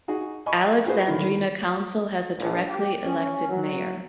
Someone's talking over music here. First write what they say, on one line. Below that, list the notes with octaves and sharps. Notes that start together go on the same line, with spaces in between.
Alexandrina Council has a directly elected mayor.
D#4 F#4 G#4
D#5 G#5 B5 C#6
F4 F#4 G#4 B4 C5
D3 D#3 E4
A#1
G4
C#4
F#3